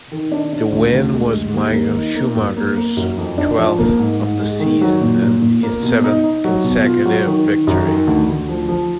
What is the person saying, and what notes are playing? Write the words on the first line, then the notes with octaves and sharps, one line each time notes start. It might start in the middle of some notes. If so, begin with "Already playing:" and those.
The win was Michael Schumacher's twelfth of the season and his seventh consecutive victory.
D#3
D4
D4
D2
D2
G#3
G#3
D#2
A#3
D#4
A#3
F#2
A#3
A#3
F#2
F2
D4
F3
A#3
G#2
G#2
G#3
D#3
F#3
A#2
A#2
A#2
A#3
B2
D#4
D#4
F#3
B2
F4
F#3
D#3
D#3
F#2
D#3
D2
D2
F3
F3